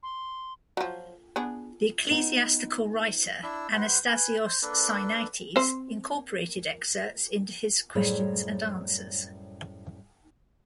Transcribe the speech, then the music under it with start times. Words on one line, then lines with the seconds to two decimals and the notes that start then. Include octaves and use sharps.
The ecclesiastical writer Anastasios Sinaites incorporated excerpts into his "Questions and Answers".
0.03 C6
0.77 F3 F#3
1.36 B3 D4 G#4
2.11 B3 D#4
3.43 D4 E4 E6
3.73 G3 B4 C5 F#5
4.06 B4 G#5
4.46 C5
4.62 A#3 D4 A4 B4
5.56 C4 C5
7.95 F#2 A2 G3 G#4 C5 C#5